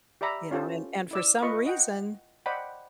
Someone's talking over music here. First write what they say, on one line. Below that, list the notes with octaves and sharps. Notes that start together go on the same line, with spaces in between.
you know. And and for some reason,
G4 D5 E5 A#5 B5
C#4 F4 G4 A4 C5
E4 D5 E6
F4 B4 D#5 F5 B5 C#6
D#5 F#5 G5
C5 D5 D#5 F#5 G5 B5